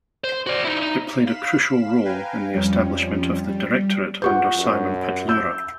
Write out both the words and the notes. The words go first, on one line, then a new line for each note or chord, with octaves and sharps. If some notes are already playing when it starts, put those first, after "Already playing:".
It played a crucial role in the establishment of the Directorate under Symon Petlura.
C5
F#4 D5
D#4 E4
D#4
F5 B5 B6 E7
B4 F5 G5 G#5 A#5
F2 F3 G3 C#4
G3
F4 G4 B4 F#5 C#6 G6
F#2
E6 G6